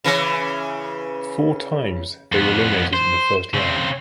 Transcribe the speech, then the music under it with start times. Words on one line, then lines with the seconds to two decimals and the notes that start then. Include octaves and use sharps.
Four times they were eliminated in the first round.
0.04 C#3 E3
2.32 F2 B3
2.93 C5
3.54 C#3 C4